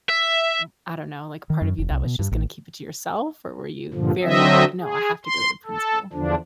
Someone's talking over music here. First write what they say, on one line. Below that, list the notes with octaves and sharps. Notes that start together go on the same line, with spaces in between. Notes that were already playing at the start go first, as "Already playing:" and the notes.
m I don't know, like a part of you that was just gonna keep it to yourself or were you very like, “No, I have to go to the principal.”
E5
D#3
F#2
F1
C2
B2
G2
A1
G2 A#2 D3 F3
D3 F#3 C4 D#5 E5
G#4
C6
A4
E2 D3 F3 D4